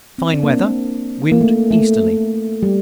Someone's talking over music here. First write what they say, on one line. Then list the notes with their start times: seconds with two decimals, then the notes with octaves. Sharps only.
Fine weather: wind easterly.
0.18 C4
0.34 D4
0.43 A#3
0.49 C4
1.32 A#3
1.41 A3
1.71 A3
2.63 G3